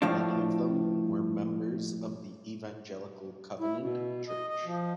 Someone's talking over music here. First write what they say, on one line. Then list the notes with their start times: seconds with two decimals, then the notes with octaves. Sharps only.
Many of them were members of the Evangelical Covenant Church.
0.02 A2 F3 D4
3.60 E4
3.80 B2
4.28 D#5
4.49 D#5
4.65 F3